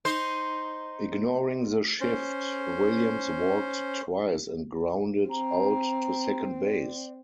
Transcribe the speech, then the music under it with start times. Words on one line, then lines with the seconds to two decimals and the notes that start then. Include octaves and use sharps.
Ignoring the shift, Williams walked twice and grounded out to second base.
0.05 D#4 C5
2.01 C#4 C5
5.30 C4 A#5
6.64 D5